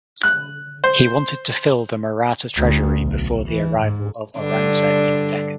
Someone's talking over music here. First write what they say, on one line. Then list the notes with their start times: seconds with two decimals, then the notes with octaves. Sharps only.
He wanted to fill the Maratha treasury before the arrival of Aurangzeb in Deccan.
0.23 F#6
0.84 C5
2.57 D2
3.00 B1
3.49 E3
3.80 G#2
4.39 G2 D3 D4